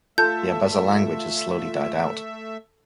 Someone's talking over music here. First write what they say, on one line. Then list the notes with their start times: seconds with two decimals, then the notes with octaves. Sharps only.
The Abaza language has slowly died out.
0.18 A3 F4 A4 E5 G6